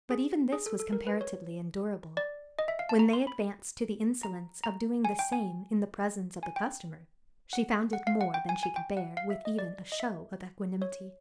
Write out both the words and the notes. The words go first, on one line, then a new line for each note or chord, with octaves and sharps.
But even this was comparatively endurable: when they advanced to the insolence of doing the same in the presence of the customer, she found it more than she could bear with even a show of equanimity.
G#4
G#4
A4
A4
A#4
B4
C#5
D5
D#5
E5
F5
A5
A#5
C6
B5
A#5
A#5
G#5
G5
G#5
G#5
G5
F#5
F#5
F5
F#5
G5
G#5
G#5
G5
F#5
F5
E5
D#5
D5
D#5
E5
C#5